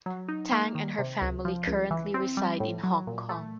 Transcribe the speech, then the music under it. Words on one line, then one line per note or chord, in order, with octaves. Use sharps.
Tang and her family currently reside in Hong Kong.
F#3
D#4
A#3
D#3
C3
C#2
F3
C#2
E3
C4
G3
A2
F#3
A#2
A3